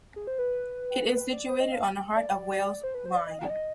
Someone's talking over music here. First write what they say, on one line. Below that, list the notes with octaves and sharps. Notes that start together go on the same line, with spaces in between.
It is situated on the Heart of Wales Line.
G#4
C5
B4
B4
D5
C5
D#5
F5
D5
C5
B4
C5
D5
D#5
F5
D5
D#5